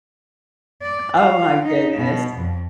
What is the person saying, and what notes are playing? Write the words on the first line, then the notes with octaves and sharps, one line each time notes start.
Oh my goodness.
D5
F5
D#4
B2
F2